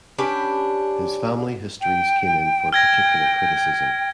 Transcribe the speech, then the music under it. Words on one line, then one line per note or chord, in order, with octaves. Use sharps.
His family histories came in for particular criticism.
C#4 D4 G4 B4
G5
G5 F6 G#6 A#6